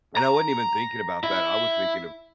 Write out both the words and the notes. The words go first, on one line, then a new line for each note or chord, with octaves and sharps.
and I wasn't even thinking about that. I was thinking of
A#5
E4